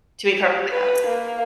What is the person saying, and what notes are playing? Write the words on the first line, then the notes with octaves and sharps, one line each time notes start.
to be perfectly honest.
B4
A#3